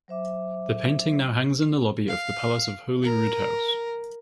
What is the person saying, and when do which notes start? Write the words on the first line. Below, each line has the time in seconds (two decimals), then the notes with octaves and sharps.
The painting now hangs in the lobby of the Palace of Holyroodhouse.
0.08 F#3 C5 E5 D6
2.08 F5
3.03 A#4